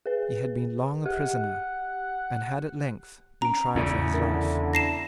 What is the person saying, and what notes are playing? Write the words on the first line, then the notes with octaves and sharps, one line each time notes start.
He had been long a prisoner, and had at length been tried for his life.
G#4 B4
G4 F#5
C#4 A#5 D7
E2 C#3 C#4 F4 D5
D3 E4 A#4
A5 A#5 A#6 C7 E7